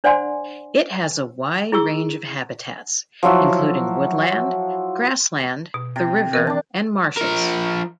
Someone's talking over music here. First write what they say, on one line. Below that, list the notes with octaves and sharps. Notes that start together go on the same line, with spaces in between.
It has a wide range of habitats, including woodland, grassland, the river and marshes.
D4 C5 D5 F#5 G#5 C6
E4 G#4 C#6 E6
F3 F#3 E4 F#4
B2
C3
E3 C4 A#4
D4 A5
F3 A#4